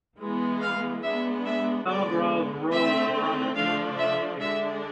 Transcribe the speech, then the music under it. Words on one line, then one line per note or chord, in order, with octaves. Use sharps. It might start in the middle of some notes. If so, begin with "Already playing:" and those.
Some Agrawals rose to prominent positions in this period.
E3 G#3 B3
F5
G#3 B3 D4 E5
E5
D3 G#3 B3 D5
D3 A3 C4 E5
F3 A3 D4 F5
E5
D3 G#3 D4 E5